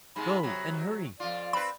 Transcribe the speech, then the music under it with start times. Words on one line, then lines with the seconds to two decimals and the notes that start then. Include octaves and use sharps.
Go, and hurry.
0.16 G#2 C3 G#3 B5
0.43 C3 F#3
1.20 F2 F4 D5
1.53 C4 B4 B5